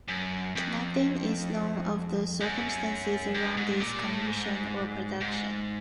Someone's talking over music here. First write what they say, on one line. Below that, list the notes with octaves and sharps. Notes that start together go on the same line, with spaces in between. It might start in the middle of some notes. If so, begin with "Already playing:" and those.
Nothing is known of the circumstances around its commission or production.
F#2
F2
F#2
G2
G#2
A#2
A2
G#2
G#2